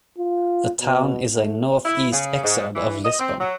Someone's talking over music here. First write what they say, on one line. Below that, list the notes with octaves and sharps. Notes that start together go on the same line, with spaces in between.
The town is a north-east exurb of Lisbon.
F4
B2
A3
E4
C#3
G#2
E3
D#5
C4
F#3